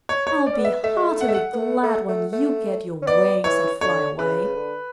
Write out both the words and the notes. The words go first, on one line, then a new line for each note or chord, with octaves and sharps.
I'll be heartily glad when you get your wings and fly away.
C#5
C#5
D5
C#4
B3
E5
A3 E5
G#3
A3
F#5
E5
F#5
B3
A3
A3
A3
A3
C#4
B3 D5
E3 C#5
D3 C#5
C#3 B4
C#3
D3